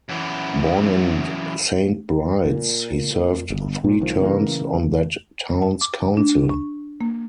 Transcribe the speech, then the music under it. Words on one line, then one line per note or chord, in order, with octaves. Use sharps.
Born in Saint Bride's, he served three terms on that town's council.
F#2 E3
A#2
G1
A#2
C2 D#3 F3
C#3 E3 G3 A#3
A5
D6
D4
C#6
A#3